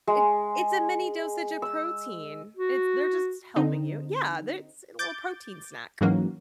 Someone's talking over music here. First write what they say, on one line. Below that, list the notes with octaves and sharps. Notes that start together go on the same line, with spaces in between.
It it's a mini dosage of protein, it they're just helping you. Yeah, they're It's a little protein snack.
G#3
E6
F#4
D3 C4 D#4
D6 G6 A6
G#2 E3 F#3 A#3 C#4